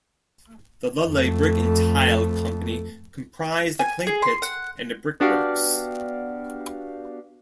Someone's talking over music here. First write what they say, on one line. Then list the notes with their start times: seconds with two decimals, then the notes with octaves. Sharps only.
The Ludlay Brick and Tile Company comprised a clay pit and a brick-works.
1.05 F2 A3
3.79 G#5
4.07 G#4
4.22 C6
4.42 F#5
5.20 B3 D4 F#4 G4 F5